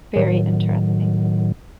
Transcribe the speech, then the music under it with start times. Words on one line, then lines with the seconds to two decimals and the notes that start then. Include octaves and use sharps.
Very interrupting.
0.16 A2 D#3 F#3